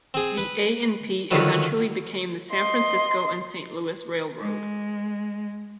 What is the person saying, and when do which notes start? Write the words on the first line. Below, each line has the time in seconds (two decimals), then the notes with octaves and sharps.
The A and P eventually became the San Francisco and Saint Louis railroad.
0.14 C4 G#4
0.37 B4
1.31 D3 D#3 F3 F#3 B4
2.52 D#5 C6
4.40 G#3